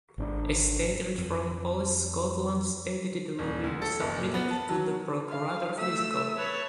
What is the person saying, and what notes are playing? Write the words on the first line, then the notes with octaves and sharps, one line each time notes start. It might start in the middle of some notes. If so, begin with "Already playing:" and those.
A statement from Police Scotland stated it would be submitted to the Procurator Fiscal.
G#1 C#4 D4
F2 F3
D#1
D2
A4
F#1
A#2
B3
A5
F#3
F5
A3 E5 E6
B4 C#5 A5